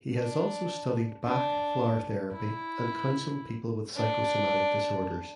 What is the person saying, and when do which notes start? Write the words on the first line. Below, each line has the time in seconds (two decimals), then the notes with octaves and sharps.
He has also studied Bach Flower therapy and counseled people with psychosomatic disorders.
0.14 D4
1.24 D4
2.32 E4
3.95 D4